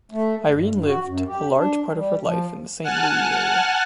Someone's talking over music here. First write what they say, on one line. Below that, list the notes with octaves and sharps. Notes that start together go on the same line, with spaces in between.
Irene lived a large part of her life in the Saint-Louis area.
A3
G2
G2
F#4
F#2
G4
D4
G3
F3
F#5 G#5 A5 F6 F#6